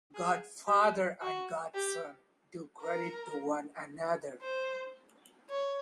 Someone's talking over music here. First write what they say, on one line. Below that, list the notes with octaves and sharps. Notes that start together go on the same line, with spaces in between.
Godfather and godson do credit to one another.
G#4
G4
F#4
G4
A#4
C5
C#5